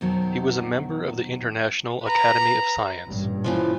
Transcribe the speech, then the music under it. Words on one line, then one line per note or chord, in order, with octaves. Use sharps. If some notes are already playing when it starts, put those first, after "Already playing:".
He was a member of the International Academy of Science.
F2 B2 D#3 F#3
B4 A#5
A1 G2 A#2
C#3 E3 F3